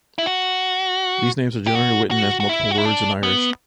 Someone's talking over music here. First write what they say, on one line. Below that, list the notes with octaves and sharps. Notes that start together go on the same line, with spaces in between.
These names are generally written as multiple words in Irish.
E4
F#4
G4
F#4
F#4
F#4
E4
F#4
E4
D4
B3